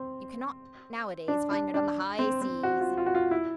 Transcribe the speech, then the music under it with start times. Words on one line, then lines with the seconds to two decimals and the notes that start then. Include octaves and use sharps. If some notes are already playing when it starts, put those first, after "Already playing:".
You cannot nowadays find it on the high seas.
Already playing: C4
1.28 D4
1.51 D4
1.74 D4
2.19 C4
2.42 C4
2.63 F#4
2.80 F4
2.97 F4
3.06 F#4
3.15 F4
3.31 E4